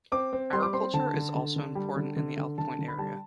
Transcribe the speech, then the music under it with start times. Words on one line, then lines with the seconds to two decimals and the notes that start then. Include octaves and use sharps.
Agriculture is also important in the Elk Point area.
0.12 C4 D6
0.33 C4
0.53 G3 C6
0.63 D6
0.73 C4 C6
0.94 D3 A5
1.14 D3
1.35 D3
1.56 D3
1.75 G3
1.96 D3
2.16 D3
2.37 D3
2.58 D3 A5
2.79 D3
2.88 B5
2.98 G3 A5